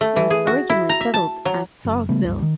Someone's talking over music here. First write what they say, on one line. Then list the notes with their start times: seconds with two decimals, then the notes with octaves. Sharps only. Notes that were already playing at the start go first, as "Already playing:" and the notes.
It was originally settled as Sarlesville.
0.01 A3
0.16 E3
0.30 G#4
0.47 F#4
0.70 E4
0.89 A#5
1.01 E5
1.14 A5
1.45 F#3
1.85 F#1
2.09 C#3 G3 A3 B3
2.24 C#2 G2
2.42 D#3